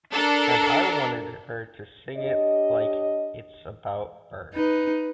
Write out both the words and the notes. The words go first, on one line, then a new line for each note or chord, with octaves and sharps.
And I wanted her to sing it like it's about birth.
D4 A4 A#4
D4 G4 C#5 D#5
D#4 B4